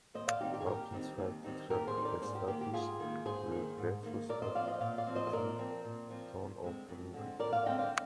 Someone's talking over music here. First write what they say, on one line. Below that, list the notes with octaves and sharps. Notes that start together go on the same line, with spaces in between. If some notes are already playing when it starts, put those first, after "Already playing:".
Hawkins felt the track established the retrospective tone of the new record.
D#2 C5 D#5
D5 F5
D#3 G3 C4 D#4 G4
G4
G#4
D#2 G4 A#4
D#3 G3 C4 D#4
D#2
D#3 G3 C4 D#4
D#2 G4 A#4
G#4 C5
D#3 G3 C4 D#4
A#4 D5
G#2 G#4 C5
G4 A#4
D#3 A#3 G4
G4
G#2 F4 G#4
D#3 A#3
G#2 G#4 C5
D#3 A#3
G#2
D#3 A#3
A#2 A#4 D5
C5 D#5
F3 C4 D5 F5
C5 D#5
A#2 D5 F5
D5 F5
F3 C4
C5 D#5
D#5
A#2 A#4 D5
F3 C4
A#2
F3 C4
F2
D3 G#3 C4
F2
D3 G#3 C4
F2 A#4 D5
D5 F5
D3 G#3 C4 D#5 G5
D5 F5